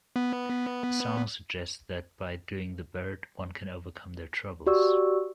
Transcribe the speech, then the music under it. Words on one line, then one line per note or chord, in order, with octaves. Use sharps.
The song suggests that by "doing the bird", one can overcome their troubles.
B3
F#4 G4 D5 C#6 E6